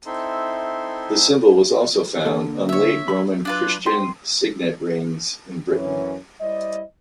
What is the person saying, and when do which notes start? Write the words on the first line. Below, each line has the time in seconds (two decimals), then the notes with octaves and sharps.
The symbol was also found on Late Roman Christian signet rings in Britain.
0.06 C4 D#4 E4 A4 E5 C6
2.25 D3 A#3 A4
2.69 C#5 E5
3.08 F#3 B5
3.45 D4 F4 B4
3.86 G4 C6
5.68 F#2 E3 C#4 C#5
6.41 G3 E4 C5 D5 D#5